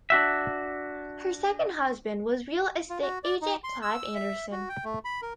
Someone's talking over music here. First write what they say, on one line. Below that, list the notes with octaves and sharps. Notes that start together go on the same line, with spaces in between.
Her second husband was real estate agent Clive Anderson.
D4 F#4 E5
F4
F#4
D5
D#4
C6
E6
E5
F#4
G5
A3
B5
A#4